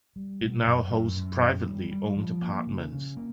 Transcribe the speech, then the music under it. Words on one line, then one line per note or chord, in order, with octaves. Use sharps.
It now holds privately owned apartments.
G3
B2
F#2
F#2
F#2
D#3
G3
G3
F3
A#3
C#3
C#3
A#3